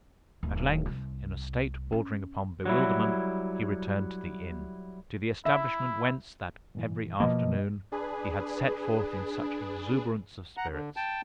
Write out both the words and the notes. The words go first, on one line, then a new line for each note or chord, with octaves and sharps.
At length, in a state bordering upon bewilderment, he returned to the inn--to the establishment whence, that every afternoon, he had set forth in such exuberance of spirits.
D1
C2
C#4
F#3 G3 E4
E4 E5
G2 A#2 E3
B2 F3 A#3 D#5
D4 G#4 B4
F#5 A#5
D3
G5 A5